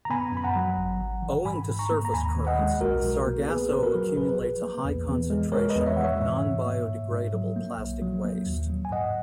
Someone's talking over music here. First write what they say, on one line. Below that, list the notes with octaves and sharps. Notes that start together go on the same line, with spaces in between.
Owing to surface currents, the Sargasso accumulates a high concentration of non-biodegradable plastic waste.
A#5
B3 G#5 B5
F#2 B5
F#5 A#5
F#3
G#1
G#1
E3
G#2 G#5 B5
G#2
A#5 C#6
A#3
A#5
D#2 G#5 B5
D#2
D#5 F#5
G#3
B1 F#4 A#4
B1
A#3
B3 G#4 B4
A#1 B4
F#4 A#4
F#3
A#1 G#4 B4
A#1
A#3
E2
E2
G#3
G#3 A#4 C#5
B4 D#5
E2
D#5
C#5 E5
E3 F#5
C#5 E5
G#2 C#5 E5
G#2
A#3
G#2
G#2
F#3
A#3
B1
F#3
A#3
D#2
F#3
G#5
G#2 D#5 F#5